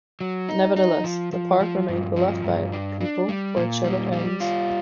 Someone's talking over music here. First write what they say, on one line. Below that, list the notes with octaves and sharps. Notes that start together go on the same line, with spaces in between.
Nevertheless, the Park remained beloved by the people for its shadowed alleys.
F#3
D#4
D#4
F3
F3
F3
G2
F3
G2
D4
D4
G3
A#2
G3
G3
F4